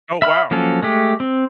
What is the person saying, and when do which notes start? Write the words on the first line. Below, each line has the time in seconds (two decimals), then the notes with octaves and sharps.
Oh, wow.
0.22 E5 B5 F6
0.51 F3 F#3 A#3 C#4 A4
0.83 G#3 A3 G4
1.20 C4